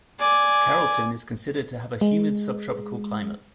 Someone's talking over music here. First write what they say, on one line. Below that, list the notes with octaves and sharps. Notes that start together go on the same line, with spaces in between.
Carrollton is considered to have a humid subtropical climate.
D5 G#5
G#3